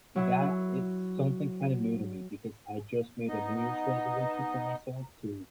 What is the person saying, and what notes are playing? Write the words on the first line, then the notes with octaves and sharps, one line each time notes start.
that is something kind of new to me because I just made a New Year's resolution for myself to
F#3 E4
B3 D#4 D#5